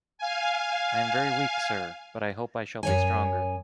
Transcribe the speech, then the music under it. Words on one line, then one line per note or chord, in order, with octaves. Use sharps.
I am very weak, sir, but I hope I shall be stronger.
F5 G#5
F#2 C#5 G#5